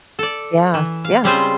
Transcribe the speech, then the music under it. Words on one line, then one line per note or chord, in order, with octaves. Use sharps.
Yeah. Yeah.
A4 D5
E3
F5
C#3 G3 G#3 C4 F4 C5